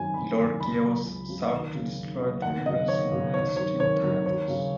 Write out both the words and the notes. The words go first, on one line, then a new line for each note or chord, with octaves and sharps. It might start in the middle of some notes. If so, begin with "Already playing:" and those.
Lord Chaos sought to destroy the rebels known as the Team Titans.
Already playing: F#2 D#3 F#3 G#5
F#2 B5
D#3 F#3
C#2 B5
C#3 F#3
C#2
C#3 F#3
D#2
C#3 F#3
D#2
C#3 F#3
D#2 F#5
C#3 F#3 D#5
D#2 C#5
C#3 F#3
D#2 C#5
D#3 F#3 C#5
D#2 C#5
D#3 F#3
D#2 C#5
C#3 F#3